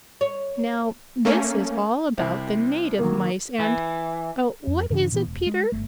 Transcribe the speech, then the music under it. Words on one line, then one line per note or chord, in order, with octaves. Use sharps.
"Now this is all about the native Mice and--what is it, Peter?"
C#5
A3 A#3 C#4
C2 C3
D#3 F#3 A#3
E3
F2
G2 C#3 E3 D4
A#2 E3 B3
E1
G#3
G1 A3